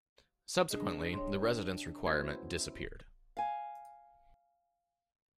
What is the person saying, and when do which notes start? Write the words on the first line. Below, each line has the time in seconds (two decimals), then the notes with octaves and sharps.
Subsequently, the residence requirement disappeared.
0.71 C3 D4 G#4 D#5
1.13 G4 C#5 C6
2.05 A3 F#4 C5 G#6
2.20 B3 C#4 E4
3.37 F5 G#5